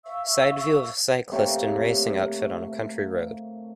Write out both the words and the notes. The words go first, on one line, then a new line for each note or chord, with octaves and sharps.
Side view of a cyclist in racing outfit on a country road.
E5 F5 C#6 E6
C3 A3 A#3 C#5